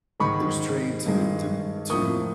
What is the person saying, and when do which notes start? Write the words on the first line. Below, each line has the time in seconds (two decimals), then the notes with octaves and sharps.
It was trained to to b to
0.20 G#2 D#3 G#3 B5 C#6
1.06 G2 D#3 G#3
1.90 A2 F3 A#3 C#6 D#6